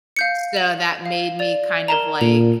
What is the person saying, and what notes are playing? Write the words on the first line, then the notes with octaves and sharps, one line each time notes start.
So, that made me, kind of, like,
F5 G6 C#7
F#7
F5
D5 F7
A#4 A5 A#5
A#2 F7